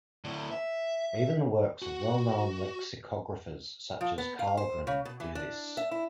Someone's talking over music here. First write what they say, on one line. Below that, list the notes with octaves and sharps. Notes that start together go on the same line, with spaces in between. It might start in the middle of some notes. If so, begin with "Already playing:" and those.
Even the works of well-known lexicographers such as Karlgren do this.
A2 D3
E5
F#4
F3
B3
F5
C5
C#3
B2
E3
D4
E5
E4